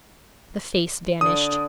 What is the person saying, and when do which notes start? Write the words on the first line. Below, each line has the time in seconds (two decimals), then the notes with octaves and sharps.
The face vanished.
1.21 D3 D#6